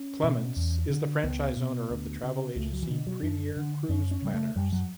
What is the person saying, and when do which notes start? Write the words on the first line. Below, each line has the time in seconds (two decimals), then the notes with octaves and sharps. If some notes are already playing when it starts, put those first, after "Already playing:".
Clements is the franchise owner of the travel agency Premier Cruise Planners.
Already playing: C#4
0.24 B2
0.56 E2
0.90 D3
1.23 C#2 B3
1.57 B2
1.90 D2
2.23 C#3
2.56 C#2 A3
2.73 F#3
2.83 E3
2.89 B2 D3
3.07 F#3
3.23 F#2 D4
3.57 D3
3.89 F#2 C#4
4.11 C#4
4.22 C#3 G3
4.34 A3
4.56 F#2 G3
4.73 F#3